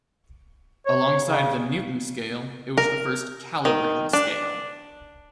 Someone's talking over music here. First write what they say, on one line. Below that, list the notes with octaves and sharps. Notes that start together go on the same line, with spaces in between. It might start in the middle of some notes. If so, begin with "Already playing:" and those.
Alongside the Newton scale, it was the first "calibrated" scale.
C#5
C#3
A#4
D#3
D4